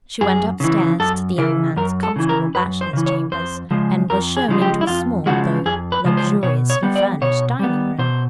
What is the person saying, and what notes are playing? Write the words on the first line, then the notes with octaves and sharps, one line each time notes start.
She went upstairs to the young man's comfortable bachelor's chambers, and was shown into a small, though luxuriously furnished, dining-room.
F#2 G#4
C#3 E3
F#2 A4
C#3 E3 A#4
F#2 A#4
A4
C#3 E3
A#4
F#2 B4
C5
C#3 E3
C#5
F2 C5
C#3 F3 G#3
F2 A#4
G#4
C#3 F3 G#3
G4
E4
F2 F4
C#3 F3 G#3 F#4
F2 G#4
B4
C#3 F3 G#3
C5
B2 C#5
C#5
G3 B3
D5
B2 C#5
G3 B3
B2 C5